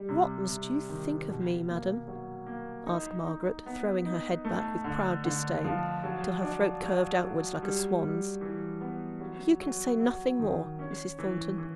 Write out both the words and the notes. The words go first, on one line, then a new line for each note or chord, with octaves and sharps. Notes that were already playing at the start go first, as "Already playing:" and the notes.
'What must you think of me, madam?' asked Margaret, throwing her head back with proud disdain, till her throat curved outwards like a swan's. 'You can say nothing more, Mrs. Thornton.
Already playing: G3
C3
C3
D#3
B2
A#3
F#3
A#3
D#4
D#4
B3
D#4
A3
D3
D3
F3
F#3
D4
F#3
F#3
G3
G3
E3
B3
F#3
F#3
F#3
D#3
C#4
E3
E3